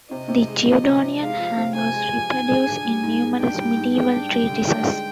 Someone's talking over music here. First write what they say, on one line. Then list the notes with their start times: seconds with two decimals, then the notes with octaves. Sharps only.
The Guidonian hand was reproduced in numerous medieval treatises.
0.10 C3 D#5
0.29 C3
0.48 G#3
0.66 F3
0.84 C3
1.02 C3
1.20 G#3 F5
1.38 F3
1.57 C3
1.75 C3 G#5
1.94 G#3
2.12 F3
2.31 G#2
2.48 G#4
2.67 D4
2.85 G3
3.03 G#2
3.22 G#4
3.39 D4 G5
3.58 G3
3.77 G#2
3.94 G#4 G5
4.13 D4
4.31 G3
4.49 D3
4.68 D4
4.85 G#3